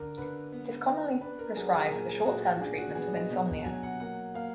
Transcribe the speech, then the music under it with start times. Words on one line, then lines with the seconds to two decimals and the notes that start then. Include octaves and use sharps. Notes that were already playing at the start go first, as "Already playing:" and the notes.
It is commonly prescribed for short-term treatment of insomnia.
Already playing: D3 A#4
0.18 D3 B4
0.52 B3
0.87 B3
1.21 D4 B4
1.39 A#4
1.56 F#3 G#4
1.73 G#4
1.86 A#4
1.91 A#2 G#4
2.09 G#4
2.20 G#4
2.26 A#2 F#4
2.44 F#4
2.60 D4 G#4
2.78 F#4
2.95 B3 G#4
3.13 D#5
3.30 B2
3.65 F#3 G#5
3.83 F#5
4.00 A#3 F#5
4.35 A#3 F5